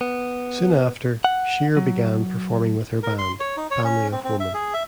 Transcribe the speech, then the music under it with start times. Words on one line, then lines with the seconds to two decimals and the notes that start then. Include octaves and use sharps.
Soon after, Shear began performing with her band, Family of Woman.
0.01 B3
1.24 F#5
1.77 F#3
3.03 A#4
3.18 C6
3.40 C#5
3.57 D#4
3.71 C#5
3.84 C#4
4.12 C4
4.24 C4
4.40 E5
4.54 G#4
4.74 E5